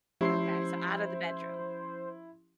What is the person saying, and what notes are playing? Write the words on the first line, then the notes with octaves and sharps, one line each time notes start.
Okay, so out of the bedroom?
F3 C#4 E4 G4 C5 C6 E6 C7